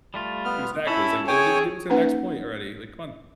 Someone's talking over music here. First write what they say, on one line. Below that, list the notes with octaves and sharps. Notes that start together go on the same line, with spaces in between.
Exactly, it's like, "The Ge get me to the next point already," like, "Come on."
G3 A3 F4
B3 F6
C#4 E4 A4 B5
G#4 C#5 G5 G#5
A#3 C#4 D#4 B4 F#5